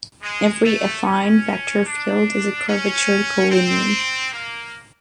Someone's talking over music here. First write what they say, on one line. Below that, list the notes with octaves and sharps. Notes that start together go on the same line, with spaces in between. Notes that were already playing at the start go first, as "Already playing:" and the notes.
Every affine vector field is a curvature collineation.
G#3
A3
C#4
D4
C#4
C4
A#3